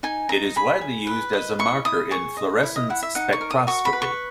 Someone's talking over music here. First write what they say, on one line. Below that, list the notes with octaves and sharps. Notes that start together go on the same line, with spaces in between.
It is widely used as a marker in fluorescence spectroscopy.
D#4 G#5
D#4 A#5
G#4 B5
G#4
B4
D#5
E4 C#6
E4 D#6
G#4 C#6
D#5
E4
D#5
E4 F#5
E5
D#4 F#5
C#6
A#4
D#6
F#4 C#6
B5
B4
C#6